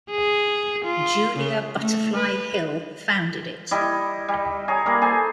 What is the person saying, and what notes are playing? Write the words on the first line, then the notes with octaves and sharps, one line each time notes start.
Julia Butterfly Hill founded it.
G#4
F4
C#3
A3
B4
G3 E4 D#5
G3
G#4 C#5 A#5
G3 A#3 A#4 B5
G#4 A4 C5 G#5